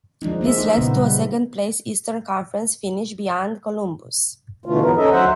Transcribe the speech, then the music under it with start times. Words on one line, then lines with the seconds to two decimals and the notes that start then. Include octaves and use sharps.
This led to a second place Eastern Conference finish behind Columbus.
0.22 D#3 F3 G#3 D4 D#4
0.41 G#3 A#3 C4 E5
0.58 D#4
0.76 A#2 C#3 B3 D#4
0.95 G3
4.66 B2 D3 E3 A3 F4
4.82 E2 G#2 E3 F#3 B3 A#4
4.97 D#2 C#4 D#4 A4 D#5 E5
5.11 D2 F#3 C5 E5 F#5